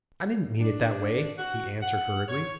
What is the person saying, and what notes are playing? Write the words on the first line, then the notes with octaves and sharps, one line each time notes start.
'I didn't mean it that way,' he answered hurriedly.
D4
F#4
F#5
C#5